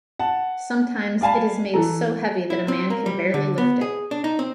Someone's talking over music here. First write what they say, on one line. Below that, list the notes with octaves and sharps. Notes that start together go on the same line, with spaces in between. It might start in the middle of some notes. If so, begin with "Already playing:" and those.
Sometimes it is made so heavy that a man can barely lift it.
F#5 A5
D5 F5 G#5 A5 B5
E3 A4 A#5
E4
C4
A#3
G3
D3
B3
G#4
D4
D#4
C4